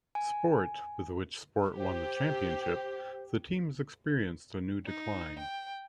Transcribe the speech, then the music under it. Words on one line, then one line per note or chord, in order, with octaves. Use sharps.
Sport, with which Sport won the championship, the team has experienced a new decline.
G#5
G4 C5
D#4
G5